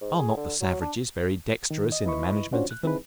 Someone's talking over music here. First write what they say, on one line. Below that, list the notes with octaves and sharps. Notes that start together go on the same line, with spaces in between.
Are not the savages very dexterous in the management of them?
G#2
G#4
D3
F#3
D4
D#3
D#5
E4 B4 D#5 B5 C#6
C#4 D4 F4 F#4 C5 C#5
F#6
C4 D#4 E4 G#4 B4